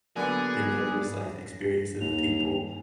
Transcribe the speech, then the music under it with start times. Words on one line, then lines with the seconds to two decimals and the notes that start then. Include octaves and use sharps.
being able to just like experience it with people,
0.16 D3 F#3 A#3 B3 G#4 B4 D5 G#5
2.01 D#2 F7